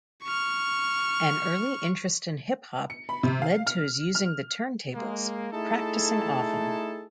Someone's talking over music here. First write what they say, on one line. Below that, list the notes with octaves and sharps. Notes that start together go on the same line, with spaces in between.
An early interest in hip hop led to his using the turntables, practicing often.
C#6 F6
C#7
B5
C3
F5
F6
F6
G#3 A#3
A3 D#4 E4 G#4 A4 A5